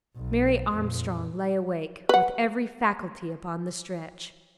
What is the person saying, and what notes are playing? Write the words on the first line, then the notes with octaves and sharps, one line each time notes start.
Mary Armstrong lay awake, with every faculty upon the stretch.
B1
F2 A#2
B4 F#5